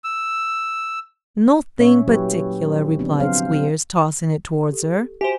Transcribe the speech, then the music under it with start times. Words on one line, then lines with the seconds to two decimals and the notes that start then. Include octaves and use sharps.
'Nothing particular,' replied Squeers, tossing it towards her.
0.04 E6
1.79 A#2 G3 C#4 C#5 E5
2.08 F#3 A#3 E4 G4 B4 C#5
2.99 D3 F3 B3 C4 D4
3.20 F3 F#3 C4 C5 F5
4.72 G4 A4
5.21 F#4 G4 C5 E5 G#5